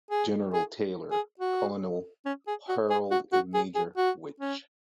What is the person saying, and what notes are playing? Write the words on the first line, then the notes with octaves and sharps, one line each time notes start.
General Taylor, Colonel Harrold and Major Wich.
G#4
G#4
G#4
F#4
C#4
G#4
F#4
G#4
F#4
F#4
G#4
G#4
F#4
C#4